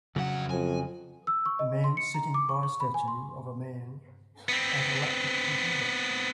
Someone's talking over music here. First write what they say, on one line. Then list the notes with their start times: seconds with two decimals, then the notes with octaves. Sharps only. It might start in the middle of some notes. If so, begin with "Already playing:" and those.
A man sitting by a statue of a man at a laptop computer.
0.16 F2 C#3 F#3 F#5
0.50 F2 G#5
1.27 E6
1.46 C#6
1.59 D#5
1.84 C6
1.97 C#7
2.14 A#5
2.34 D6
2.49 C#6
2.63 C#6
2.80 B5
2.94 G#5
3.08 C6
4.49 B3 C4